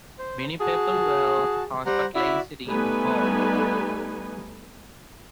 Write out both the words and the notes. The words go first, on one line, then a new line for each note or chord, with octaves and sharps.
Many people were hospitalized in Hoorn.
C5
F#4 G#4 A5
G3 C5 F#5 A#5
E4 F#4 D5 E5
G3 A3 B3 D#4 B4 G#5